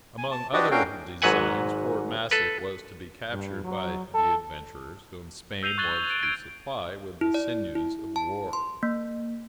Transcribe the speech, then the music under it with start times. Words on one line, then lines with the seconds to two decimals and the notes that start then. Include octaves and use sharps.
Among other designs, Fort Massac was to be captured by the adventurers, whom Spain was to supply with the sinews of war.
0.18 G#5
0.31 A5
0.53 D4 F#4 G4 B4 D5 D#5
0.71 C#4 D4 F#4 A#4 F5 G5
1.22 G#1 G#2 F#3 B4 F#5 G#5
2.31 A4 B4
3.32 G2
3.64 F#3
4.14 A4
5.63 E6 G6 C7 D#7 F7
5.78 C#6 F#6 G#6 A6 F#7 G7
6.10 D7
6.23 G#6 A6 D7
7.21 E4
7.34 D5
7.75 E4
8.16 A5
8.53 C6
8.83 A#3